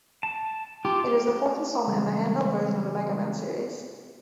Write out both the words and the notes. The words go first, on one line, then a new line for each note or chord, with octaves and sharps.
It is the fourth installment in the handheld version of the "Mega Man" series.
A5
F4 G4
C#3 E3 G3 G#3 C4